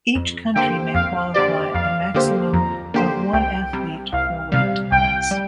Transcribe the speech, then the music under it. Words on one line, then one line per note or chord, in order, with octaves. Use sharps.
Each country may qualify a maximum of one athlete per weight class.
F2
D3 A#3 G4 C5 G5
F2 F5
D3 A#3 G4 C5 D5
F2 F5
D3 A#3 G4 C5
F2 A#5
D3 A#3 G4 C5
C2 G5
C3 G3
C2 F5
C3 G3 F5
C2 G5
G3